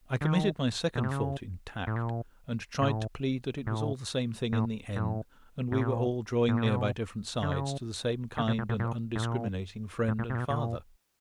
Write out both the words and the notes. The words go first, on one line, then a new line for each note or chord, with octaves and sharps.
I committed my second fault in tact, and tried to plead that it was all the same thing in the end, and we were all drawing near by different sides to the same kind and undiscriminating Friend and Father.
D3
D#3
B2
C3
C#3
A2
A#2
A2
A2
A2
A2
A2
A#2
A2
A#2
B2
D3
C#3
D3
B2
A#2
A#2
A#2
A2
A#2
A2
A#2
C3
A#2
B2
A#2